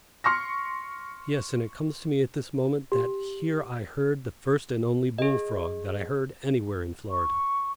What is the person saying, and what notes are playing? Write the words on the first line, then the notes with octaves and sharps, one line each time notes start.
Yes, and it comes to me at this moment that here I heard the first and only bull-frog that I heard anywhere in Florida.
C6 C#6 F6 A#6
G4
G#4 D#5
C#6